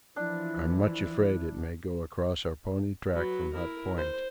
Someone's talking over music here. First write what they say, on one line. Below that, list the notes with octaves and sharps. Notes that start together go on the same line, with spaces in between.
I'm much afraid it may go across our pony track from Hut Point.
E3 F3 D4 E4
F#3 B4
E4 A#4
C5